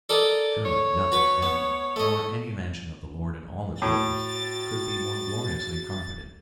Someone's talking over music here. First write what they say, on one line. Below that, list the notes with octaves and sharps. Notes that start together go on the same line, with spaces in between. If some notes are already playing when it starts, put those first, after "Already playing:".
Surely nothing in heaven, nor any mansion of the Lord in all his worlds, could be more gloriously carpeted.
A4 A#4 D5 D#5
C#5
F#4 B4
B3
A3 D#5
A2 F#4 A6